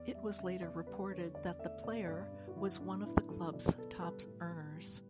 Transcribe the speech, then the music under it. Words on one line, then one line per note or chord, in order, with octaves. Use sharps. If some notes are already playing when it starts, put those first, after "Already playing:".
It was later reported that the player was one of the club's top earners.
Already playing: E2 D5
G3 E5
C#3 E5
E2 D5
G3 B4
D3 C#5
E2 D5
A3 E5
B2 D5
G2 D5
B3
F#4
F#3 E4
A2 D4
B3 E4
F#3 A4
B2 D5
B3 A4
G3 B4
A2
B3
G3